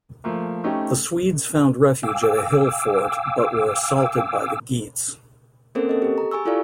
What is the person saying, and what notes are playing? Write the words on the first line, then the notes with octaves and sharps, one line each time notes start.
The Swedes found refuge at a hill fort but were assaulted by the Geats.
F3 A3 A#3
A3 C4 C#4 D#4 G4
F5 G5 G#5 D6 E6
A#3 C4 C#4 A4 A#4 C5
A4 D#5
G4
A#5
G#4 G#5 C#6 E6
E4 F4 G4 A4 D5 F5